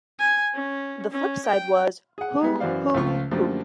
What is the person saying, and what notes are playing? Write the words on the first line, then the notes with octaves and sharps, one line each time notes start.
The flip side was "Who Who Who".
G#5
C#4
C#4
G5
G#4 F#5
G3 G#3 B3
F#2 E3 F#4 C5 D5 F5
C#2 F3 A3 F4 C#6
F#2 D3 F3 G3 A3 A#3